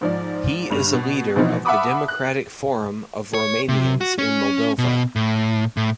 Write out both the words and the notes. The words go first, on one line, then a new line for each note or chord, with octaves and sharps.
He is a leader of the Democratic Forum of Romanians in Moldova.
G#2 F3 D5
G1 G2 G3 F7
B2
B2 E3 F3 B3 C4 D#4
E5 F#5 A5 B5 D6 D#6
F#6
C#5
C3
F#4
C#4
B2
A2
A2